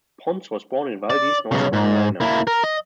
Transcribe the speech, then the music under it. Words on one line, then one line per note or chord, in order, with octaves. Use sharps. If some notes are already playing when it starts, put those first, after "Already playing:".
Pons was born in Valdese, North Carolina.
D5
B1 C#3
G#2
A#3 E4
A#4
D#5